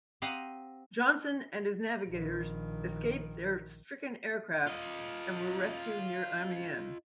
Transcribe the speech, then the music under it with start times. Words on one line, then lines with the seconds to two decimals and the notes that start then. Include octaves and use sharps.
Johnson and his navigator escaped their stricken aircraft and were rescued near Amiens.
0.22 C4 G4 D#5 F5 F#5 A#5
2.09 A#1 D#3
4.67 F4 D#5